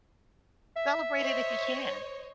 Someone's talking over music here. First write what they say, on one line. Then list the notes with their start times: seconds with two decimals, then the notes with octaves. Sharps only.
celebrate it if you can.
0.76 E5
1.19 C5 C#5 D#5